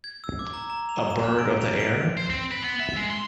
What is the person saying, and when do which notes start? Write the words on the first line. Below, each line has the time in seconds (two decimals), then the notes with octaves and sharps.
A bird of the air?
0.04 G#6
0.24 E6
0.39 D6
0.53 A#5
0.70 A#5
0.89 F7
1.10 E7
1.24 F6
1.39 D7
1.61 F7
1.80 D7
2.17 C5
2.30 C4
2.51 B4
2.64 B3
2.80 E5
2.96 G#3
3.10 C6